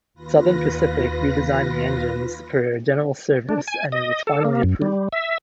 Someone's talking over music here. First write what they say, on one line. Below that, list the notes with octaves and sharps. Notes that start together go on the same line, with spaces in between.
Southern Pacific re-designed the engines for general service and it was finally approved.
D#2 F4 B4 A#6
D4
G#5
D#5
A4
A#3
F#2
G3
E5